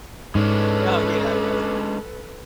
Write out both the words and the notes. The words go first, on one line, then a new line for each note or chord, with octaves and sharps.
Oh, yeah. Definitely.
G#2 G#3 C#4 D4 A4 B4